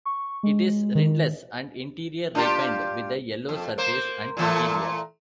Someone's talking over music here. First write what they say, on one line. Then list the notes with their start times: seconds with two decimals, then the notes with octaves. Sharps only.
It is rindless and interior-ripened with a yellow surface and interior.
0.05 C#6
0.43 G#3
0.95 D#3
2.35 D4 F4 G4
3.49 F2
3.78 A#3 C5
4.37 A#2 E3 A3